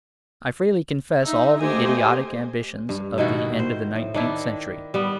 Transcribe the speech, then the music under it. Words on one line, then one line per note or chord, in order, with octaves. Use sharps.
I freely confess all the idiotic ambitions of the end of the nineteenth century.
D#4 E5
A3 A#3 G4 C5 D#5 G#5
G2
B2 D#3 E4 F#4
C5
A2
D#3 D4 E4
G3 B3